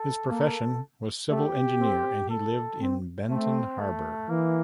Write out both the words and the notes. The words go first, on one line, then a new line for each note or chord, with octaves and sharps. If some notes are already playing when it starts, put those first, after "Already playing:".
His profession was civil engineer and he lived in Benton Harbor.
Already playing: A4
A#3 A4
A3 G4
C4
A4
C4
A3 C4
A3
E3 A#3